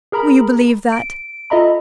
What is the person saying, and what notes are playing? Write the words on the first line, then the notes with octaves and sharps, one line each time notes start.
Will you believe that?
G#4 A#4 A#5 B5
D7
F4 A4 D#5 E5 A#5 B5